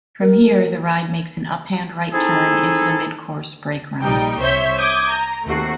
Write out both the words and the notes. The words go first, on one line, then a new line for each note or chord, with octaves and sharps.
From here, the ride makes an up-hand right turn into the mid-course brake run.
A#4
C4 D#4 E4 G#4 A4
A#1 G3 D#4 G5
C2 C5 C#5 E5 G6
D6 D#6 G6 G#6
A#5
D#2 C3 A3 F#4 C7